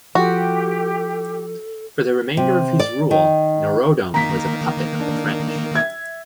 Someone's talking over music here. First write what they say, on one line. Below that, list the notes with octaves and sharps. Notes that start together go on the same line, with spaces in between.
For the remainder of his rule Norodom was a puppet of the French.
F3 F#4 G4 A4
C3
D5
D#3
D#3 A#3 A#5 B6
D4
E5 G#6